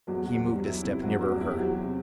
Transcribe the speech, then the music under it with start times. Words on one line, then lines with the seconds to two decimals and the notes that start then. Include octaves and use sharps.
He moved a step nearer her.
0.07 E2 F#3 F#4
0.26 F#3 F#4
0.32 E2
0.45 G3 G4
0.58 F#3
0.64 E4
0.83 C3 E4
1.02 F#3 F#4
1.08 E2
1.21 F#3 F#4
1.34 E2
1.41 E4
1.51 G4
1.59 F#3 F#4
1.84 C3